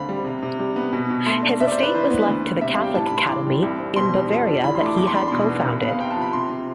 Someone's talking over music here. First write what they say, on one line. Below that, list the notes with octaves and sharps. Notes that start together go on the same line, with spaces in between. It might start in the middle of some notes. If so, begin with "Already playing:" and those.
His estate was left to the Catholic Academy in Bavaria that he had co-founded.
Already playing: D2 D3 C4 F5 B5
G3
C3
C3
G3
B3
B2
B2
A3 C6
D4
C3 E5
D5
C5
D4
B4
E3 C5
B3
D2
B3
C3 E5
F5
G3
G5
A2 A5
B5
A2
C6
E3 D6
G3
C2
C4
B2 C6
G3
F2
D4
E3 B5
C6
A3
D6
E2 D6
C6
D4 B5
B2 C6
B3
C2
B3
F5
C3 G5
A5
F3
B5
C3 C6
C3